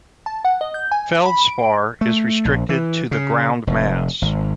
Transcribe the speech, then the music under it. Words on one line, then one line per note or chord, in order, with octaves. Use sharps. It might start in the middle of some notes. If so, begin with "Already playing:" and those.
Feldspar is restricted to the ground mass.
A5
F#5
D#5
G6
G#5
B5
D7
A3
A#1
E3
C#3
F1
G#1